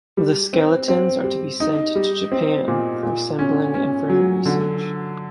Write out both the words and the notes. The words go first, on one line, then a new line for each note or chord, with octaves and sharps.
The skeletons are to be sent to Japan for assembling and further research.
G3
C4
C4
G3
D#4
G3
C4
A#2
A#2
C#4
C#4
F#3
D3